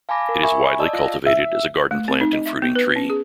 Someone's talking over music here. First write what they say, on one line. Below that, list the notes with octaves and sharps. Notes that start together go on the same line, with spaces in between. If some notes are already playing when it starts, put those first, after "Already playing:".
It is widely cultivated as a garden plant and fruiting tree.
F5 G#5 A5 B5 D6 A#6
A#4
E5 G#5 B5 C#6
D5 D#5 A5 E6
F4 F5 A#6
E5
A3
C4
D#4
D#5
E5
B3
B4
C#4
G#4